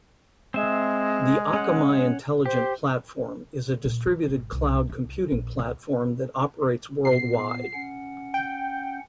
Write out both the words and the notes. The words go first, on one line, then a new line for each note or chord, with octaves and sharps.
The Akamai Intelligent Platform is a distributed cloud computing platform that operates worldwide.
G#3 C4 E5
C#4 F#5
G4 C5
A#2
E3
G#1
C2
C2
A#1
C#2
A#2 B3 C7
C#4 F#5
G5